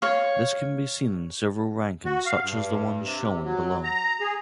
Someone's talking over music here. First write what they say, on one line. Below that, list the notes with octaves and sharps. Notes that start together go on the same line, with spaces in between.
This can be seen in several rankings such as the ones shown below.
C#5 F5
F#4
F5
G2
C3
F#3
A#5
G#4